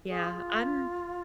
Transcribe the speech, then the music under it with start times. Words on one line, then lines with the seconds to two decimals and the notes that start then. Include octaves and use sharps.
Yeah, I'm
0.08 G#4
0.24 F4